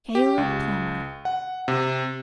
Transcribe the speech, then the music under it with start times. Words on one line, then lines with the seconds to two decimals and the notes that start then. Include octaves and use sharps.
'Caleb Plummer.
0.15 G4
0.38 C#2
1.25 F#5
1.68 C3